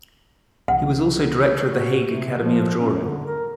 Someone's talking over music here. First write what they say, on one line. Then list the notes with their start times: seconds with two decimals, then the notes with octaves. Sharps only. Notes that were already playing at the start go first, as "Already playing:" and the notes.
He was also director of the Hague Academy of Drawing.
0.68 C2 C3 E3 F#5
1.64 F#4
2.05 C3
2.38 F3
2.79 C#4
2.99 D3
3.26 A#4